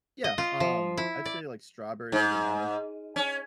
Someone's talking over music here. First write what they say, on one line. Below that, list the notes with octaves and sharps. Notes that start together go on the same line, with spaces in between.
yeah, um, I'd say, like, strawberries or bananas.
D#5
F4
F3
E4
D5
G#2
C#4